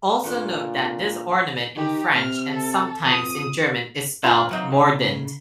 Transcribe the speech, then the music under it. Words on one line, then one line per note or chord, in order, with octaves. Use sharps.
Also note that this ornament in French, and sometimes in German, is spelled "mordant".
A#2 A3 D4 F4
D#3 G4
C3 F6
A4
F2 D#6
D4 F4 A#4 B4 F5
F#3 A#3 C4 D#4 F#5
C#3